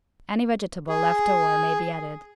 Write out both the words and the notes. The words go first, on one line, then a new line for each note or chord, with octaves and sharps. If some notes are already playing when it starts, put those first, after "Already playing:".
Any vegetable left over may be added.
G#4